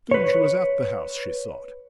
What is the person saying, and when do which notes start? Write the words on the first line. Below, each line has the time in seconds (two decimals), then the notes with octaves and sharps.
Soon she was at the house she sought.
0.11 B4 C#5